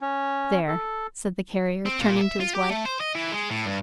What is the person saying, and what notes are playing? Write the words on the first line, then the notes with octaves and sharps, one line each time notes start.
"There!" said the Carrier, turning to his wife.
C#4
A4
C4
A#2
E5
F4
G4
A3
C5
D#5
E3
G#3
A2
G2